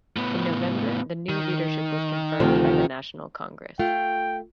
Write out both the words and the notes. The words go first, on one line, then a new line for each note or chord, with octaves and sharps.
In November, the new leadership was confirmed by the national congress.
A2 B3
D#3
D2 C3 F3
A3 F4 G5